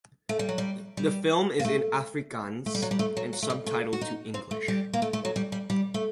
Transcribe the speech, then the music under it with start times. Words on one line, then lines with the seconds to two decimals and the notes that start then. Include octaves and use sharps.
The film is in Afrikaans and subtitled to English.
0.29 A3
0.39 G3
0.49 F#3
0.58 G3
0.97 G3
1.60 A#3
1.65 A3
2.66 A3
2.75 G3
2.82 F#3
2.91 G3
2.99 A3
3.17 F#3
3.33 F#3
3.42 A3
3.50 G3
3.66 A3
3.93 F#4
4.01 D#4
4.34 C4
4.51 A3
4.68 G3
4.93 A#3
5.02 A3
5.13 A3
5.25 F#3
5.36 G3
5.52 G3
5.70 G3
5.94 A3